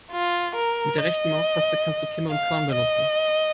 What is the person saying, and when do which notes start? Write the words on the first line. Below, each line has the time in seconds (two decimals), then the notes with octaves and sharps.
Mit der rechten Maustaste kannst du Kimme und Korn benutzen.
0.12 F4
0.55 A#4
0.98 D#5
2.29 F5
2.72 D#5